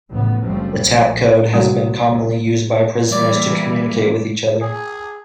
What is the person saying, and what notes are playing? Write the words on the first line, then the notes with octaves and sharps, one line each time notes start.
The tap code has been commonly used by prisoners to communicate with each other.
A1 F2 A2 C#3 B3
F#1 F3 G3 A3 C4
A#1 F3
C2 G2 F#3 D#6
E3 G3 A#3 D5 G#5
G#4